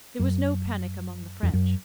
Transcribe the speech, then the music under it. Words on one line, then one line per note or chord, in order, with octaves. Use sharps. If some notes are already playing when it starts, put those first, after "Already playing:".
There was no panic among the French.
F#2
F2
F#2